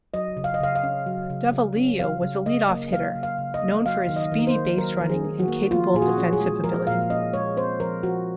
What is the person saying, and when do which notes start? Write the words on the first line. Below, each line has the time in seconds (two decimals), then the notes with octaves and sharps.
Davalillo was a leadoff hitter known for his speedy baserunning and capable defensive ability.
0.14 F#3 D#5
0.37 C#3
0.44 F5
0.54 D#5
0.60 C#3 F5
0.75 F5
0.83 C#4
1.07 F#3
1.30 C#3
1.53 C#3
1.77 C#4
2.00 F#3 F5
2.23 C#3
2.46 C#3 D#5
2.69 A#3
2.92 F#3 F5
3.15 C#3
3.23 F5
3.39 C#3
3.54 D#5
3.62 A#3
3.85 F#3 F5
4.09 D#3
4.16 D#5
4.32 D#3
4.39 A#4
4.47 C5
4.55 A#3
4.78 F#3 A#4
5.01 D#3
5.10 G#4
5.25 D#3
5.40 F#4
5.48 A#3
5.71 F3 F4
5.94 A#2 G#4
6.02 F#4
6.18 C#4
6.33 G#4
6.40 G#3
6.64 F3 A#4
6.87 A#2 F5
7.10 C#4 D#5
7.33 G#3 C#5
7.57 C4 C5
7.80 F3 A#4
8.03 F3 F#4